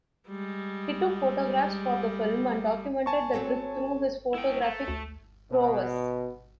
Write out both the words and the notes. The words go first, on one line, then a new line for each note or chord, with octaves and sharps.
He took photographs for the film and documented the trip through his photographic prowess.
G3 G#3
G#5 A5 C#6
F#3 C4 A4
E4 G5
A3
D2
B2